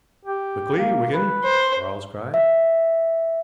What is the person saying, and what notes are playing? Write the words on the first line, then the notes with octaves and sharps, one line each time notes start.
"Quickly, Wigan!" Quarles cried.
G4
A#3
B4
C5
E5